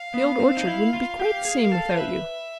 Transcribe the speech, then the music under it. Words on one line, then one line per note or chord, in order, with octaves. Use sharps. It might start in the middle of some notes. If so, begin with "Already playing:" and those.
The Old Orchard wouldn't be quite the same without you.
Already playing: F5
B3
C4
D#4
E4
F4
G4 F5
G#4
A#4
A4
C5
B4 E5